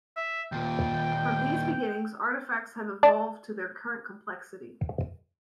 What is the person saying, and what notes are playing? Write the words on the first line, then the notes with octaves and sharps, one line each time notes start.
From these beginnings, artifacts have evolved to their current complexity.
E5
D#2 A#2 G5
D5 A5